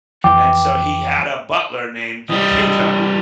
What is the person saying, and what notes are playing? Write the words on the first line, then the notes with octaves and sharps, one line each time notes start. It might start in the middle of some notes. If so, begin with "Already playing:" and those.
and so he had a butler named Cato,
F2 E3 G5 D6
E3 G3 D#5